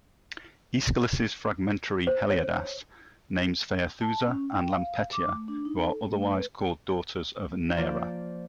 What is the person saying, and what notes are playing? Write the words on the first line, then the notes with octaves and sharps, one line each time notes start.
Aeschylus's fragmentary "Heliades" names Phaethousa and Lampetia, who are otherwise called daughters of Neaera.
C5
C#5
A5
C#4
G5
F5
D6
A3
D4
D#4
A4
A3
B4
F3 A#3 F4 C5 D5